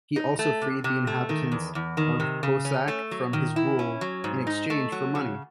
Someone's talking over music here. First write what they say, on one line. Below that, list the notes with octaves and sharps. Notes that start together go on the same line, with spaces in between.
He also freed the inhabitants of Boussac from his rule, in exchange for money.
D#4
A3
C3
C3
A3
D#3
E2
E2
D#3
C3
C#3
C#4
A3
F#3
D#3
E4
C#4
F#3
G#2
D#4
A3
F#3
C#3